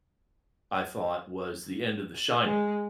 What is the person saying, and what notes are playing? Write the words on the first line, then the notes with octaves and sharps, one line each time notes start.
I thought, was the end of The Shining.
G#3